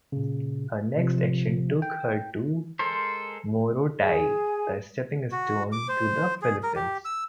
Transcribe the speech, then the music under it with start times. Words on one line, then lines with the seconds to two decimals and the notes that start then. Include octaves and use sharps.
Her next action took her to Morotai, the stepping stone to the Philippines.
0.12 A#2 C#3
0.97 C3 F3
1.82 G5
2.79 G#3 A4 A#4 C5
3.99 G#4 G#5
5.32 F#4
5.72 D6
5.88 C5
6.42 G#4
6.63 A#4
6.76 G4
7.05 E6